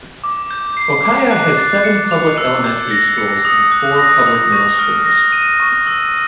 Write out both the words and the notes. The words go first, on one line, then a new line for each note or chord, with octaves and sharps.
Okaya has seven public elementary schools and four public middle schools.
D6
G6
C7
D6
F#6
A6
C#7
F7
E6
G6
A#6
C#7
D#6
F#6
A#6
D#6
C#6
F6
A#6
D#7
C#6
E6